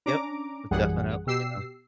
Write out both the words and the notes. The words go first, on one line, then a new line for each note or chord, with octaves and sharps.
Yep. Most definitely am.
C#4 D4 A#5 D6 D7
A#1 F#2 E3 G3 G#4 F#5
B2 G4 E6 C7